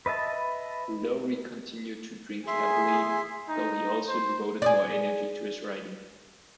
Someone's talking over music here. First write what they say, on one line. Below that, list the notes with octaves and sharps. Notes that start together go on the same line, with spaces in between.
Lowry continued to drink heavily though he also devoted more energy to his writing.
B4 D#5 E5 A5
G#4 E5 C6
D#4
C5
G#4 D5